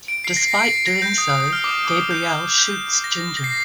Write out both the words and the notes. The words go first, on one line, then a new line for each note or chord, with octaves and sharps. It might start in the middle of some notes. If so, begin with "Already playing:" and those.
Despite doing so, Gabriel shoots Ginger.
D7
C7
A#6
C7
D7
C7
A#6
G6
D#6
D#6
D#6
F6
D6
D#6
G6
G6
A#6
A#6
C7